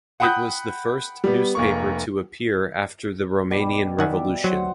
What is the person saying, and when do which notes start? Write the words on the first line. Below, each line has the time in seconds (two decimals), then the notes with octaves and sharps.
It was the first newspaper to appear after the Romanian Revolution.
0.20 F#5 G5 B5 D#6 F#6 G6
1.24 G3 B3
1.55 F1 A#3 C#6
3.51 B2 G3 D6
3.99 D#3 G4 D5 E5 F#5 G#5
4.44 F#3 C5 F#5